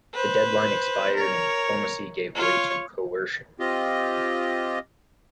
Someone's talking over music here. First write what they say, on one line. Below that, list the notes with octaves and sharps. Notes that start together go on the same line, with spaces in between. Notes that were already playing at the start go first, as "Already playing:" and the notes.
The deadline expired, and diplomacy gave way to coercion.
B4 C5
A#4 C#5
F4 C#5
C4 F4 G4 D#5